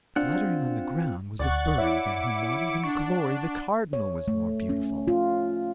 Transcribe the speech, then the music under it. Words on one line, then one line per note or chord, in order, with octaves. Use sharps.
Fluttering on the ground was a bird than whom not even Glory the Cardinal was more beautiful.
C4 D4 F4 F#5
D2 D5 F#5 C#6 F#6 A6
E4 C#5 E5 D6 C#7
D4 C#6
C#5
A3
C#4
F4